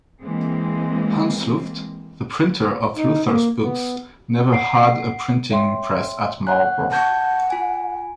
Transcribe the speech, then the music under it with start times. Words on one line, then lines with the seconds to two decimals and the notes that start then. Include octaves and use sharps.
Hans Luft, the printer of Luther's books, never had a printing press at Marburg.
0.22 E3 G#3 A#3 C4
2.97 D#4
3.26 A#3
3.62 B3
4.51 F#5 C7 D7
5.51 C#5 E5 G5 C6
6.47 C#5 F#5 F#6
6.92 F#5 A5 G6 G#6
7.50 F4 G#5